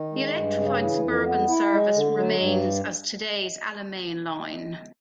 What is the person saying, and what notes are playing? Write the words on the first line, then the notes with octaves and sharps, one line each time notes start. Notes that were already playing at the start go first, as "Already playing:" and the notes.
The electrified suburban service remains as today's Alamein line.
Already playing: D#3
G#3
G2
C#3
E3
F2
B3
E4
G#3
D3
F#3
G2